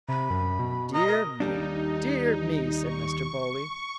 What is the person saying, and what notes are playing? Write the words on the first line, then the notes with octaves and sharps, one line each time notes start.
"Dear me, dear me," said Mr. Bowley.
C3 B5
F#2
B2
D#5 A#5
A#4
D#2 G3 D4 D#4
C#6